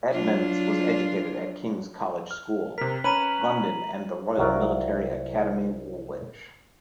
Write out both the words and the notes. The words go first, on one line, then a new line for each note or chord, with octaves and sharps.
Edmonds was educated at King's College School, London and the Royal Military Academy, Woolwich.
F#3 D4 F4
F6
C3 A#4 B6
C#4 B4 A#5 B5 D#7 F#7
C2 F#3 F4 A#4 F#5